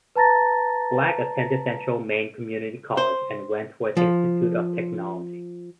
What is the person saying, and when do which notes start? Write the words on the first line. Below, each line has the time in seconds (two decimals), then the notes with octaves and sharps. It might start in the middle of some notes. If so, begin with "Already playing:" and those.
Black attended Central Maine Community College and Wentworth Institute of Technology.
0.16 B4 A5 A#5 A6 A#6
2.97 C5
3.97 F3